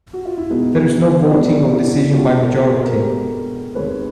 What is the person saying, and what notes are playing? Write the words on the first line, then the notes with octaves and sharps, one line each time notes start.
There is no voting or decision by majority.
F#4
F4
E4
B2 G#3 B3 D#4
B2 G#3 B3 D4
E4 F#4
B2 G#3 B3 F4 G4
A4
F#4 G#4
A#4
B2 G#3 B3 G4 A4
D#2 D#3 G#3 C4 B4 C#5